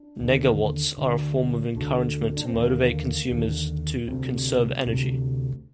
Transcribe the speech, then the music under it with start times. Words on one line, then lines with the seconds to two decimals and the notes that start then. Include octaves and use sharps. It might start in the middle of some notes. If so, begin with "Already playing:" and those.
Negawatts are a form of encouragement to motivate consumers to conserve energy.
Already playing: D4
0.20 D#2 D3
0.98 D2 D3
1.76 D2 D3
2.37 D4
2.45 C4
2.53 D#2 D3 A#3
3.30 D#2 D3
4.08 D2 C3 C4
4.86 D2 C3